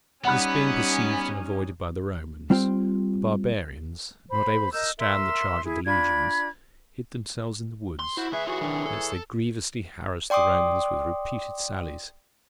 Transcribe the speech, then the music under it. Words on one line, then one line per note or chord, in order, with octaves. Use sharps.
This being perceived and avoided by the Romans, the barbarians, not able to stand the charge of the legions, hid themselves in the woods, whence they grievously harassed the Romans with repeated sallies.
G3 B3 C#4 D#4 F#5 B5 F#6
G3 C4 F4 G5
C5 B5
A#4 D#5 E6 G6
A#4 E5 C6 E6
E4 G#4
D4 F4 B5 G#6
C6
E4 F#4 C5
C#2 G#4 B4 E5 C#6
E3 F4 F#4 G#4 C#5
D#3 D4
A4
D5 G5 C6 D6 D#6